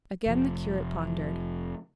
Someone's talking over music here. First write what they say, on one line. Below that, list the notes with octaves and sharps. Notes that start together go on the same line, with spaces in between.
Again the curate pondered.
F1 F3